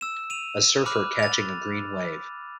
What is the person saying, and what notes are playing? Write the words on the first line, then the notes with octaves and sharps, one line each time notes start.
A surfer catching a green wave.
E6 E7
D#7 F7
B5 D6 F6 F#6
A6 F7